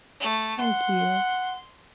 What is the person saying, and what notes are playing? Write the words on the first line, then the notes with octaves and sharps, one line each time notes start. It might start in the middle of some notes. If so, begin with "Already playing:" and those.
thank you.
A3
F#5 C6